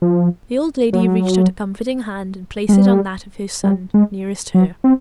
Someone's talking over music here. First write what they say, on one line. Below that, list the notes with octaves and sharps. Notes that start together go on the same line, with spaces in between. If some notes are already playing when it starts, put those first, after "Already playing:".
The old lady reached out a comforting hand and placed it on that of her son nearest her.
F3
F#3
G#3
G3
G3
G#3
F#3
C4